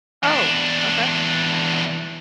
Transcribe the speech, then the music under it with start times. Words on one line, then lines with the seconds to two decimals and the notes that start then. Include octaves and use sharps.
Oh, okay.
0.23 E2 D4